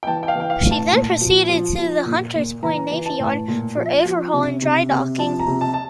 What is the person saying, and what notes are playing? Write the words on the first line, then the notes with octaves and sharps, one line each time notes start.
She then proceeded to the Hunters Point Navy Yard for overhaul and drydocking.
G5
E3 A5
G5
F5
E3 G5
F5
A2
A5
A#2
F3
F3
F3
A#2
A#2
E3 A#5
E3
A5
A2
A#2
F3
F3
C3
C3
C3
F3 A5
A#5
C3
A5
A5